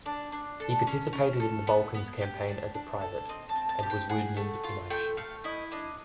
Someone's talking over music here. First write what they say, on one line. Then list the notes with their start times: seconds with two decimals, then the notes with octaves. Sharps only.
He participated in the Balkans Campaign as a private, and was wounded in action.
0.06 D4 D5
0.32 D4
0.60 A4
0.87 C#4
1.13 C#4
1.40 A4
1.67 B3
1.94 B3
2.21 G4
2.48 D4
2.74 D4
3.01 A4
3.29 C4 D#5
3.49 A5
3.56 C4
3.69 A5
3.83 G4
3.90 G5
4.09 G#4 F#5
4.37 A3
4.64 F4
4.90 A3 G5
5.17 A3 F5
5.44 E4 D#5
5.71 D4 D#5